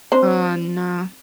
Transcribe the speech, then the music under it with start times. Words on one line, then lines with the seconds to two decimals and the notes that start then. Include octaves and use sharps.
Oh, no.
0.12 C4 D4 C5